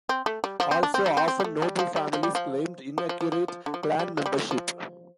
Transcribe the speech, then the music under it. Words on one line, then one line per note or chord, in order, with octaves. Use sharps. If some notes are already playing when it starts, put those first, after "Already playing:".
Also often noble families claimed inaccurate clan membership.
C4
A3
G3
F3
C4
D4
C4
G3
C4
C4
G3
A3
G3
F3
G3
F3
G3
F3
F3
F3
F3
F3
F3
D3
F3
G3
G3
F3
G3
A3
F3